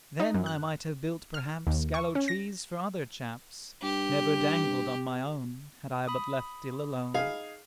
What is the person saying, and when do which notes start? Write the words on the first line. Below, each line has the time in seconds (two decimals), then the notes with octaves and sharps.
"Then I might have built perhaps Gallows-trees for other chaps, Never dangled on my own, Had I but left ill alone."
0.20 D#4
0.34 F#2
0.46 F#6
1.34 F6
1.67 D#2
1.94 C#6
2.15 C#4
2.28 A#6
3.83 G2 G4
6.07 B5 D#6
7.14 D#4 G#4 F5